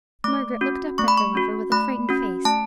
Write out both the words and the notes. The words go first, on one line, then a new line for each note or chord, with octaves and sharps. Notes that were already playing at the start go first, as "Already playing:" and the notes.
Margaret looked up at her lover with a frightened face.
A3 D6
C#4 F#4
A3 C#6
B5
C#6
C#4 F#4
A3 B5
C#4 F#4
A3 A5